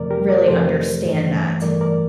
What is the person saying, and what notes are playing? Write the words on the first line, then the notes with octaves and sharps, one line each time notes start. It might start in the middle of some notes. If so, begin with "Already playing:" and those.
really understand that
Already playing: F2 C3 F3 A3 A#4 D5
G4 A#4
A#4 D5
F2 C3 F3 A3 A4 C5
G2 E3 A3
G2 E3 A3 A#4 D5
A#4 D5